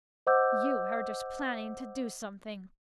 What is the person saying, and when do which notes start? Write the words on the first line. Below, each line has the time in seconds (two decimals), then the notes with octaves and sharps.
"You heard us planning to do something."
0.27 C5 D#5 F#5 D6 E6 G6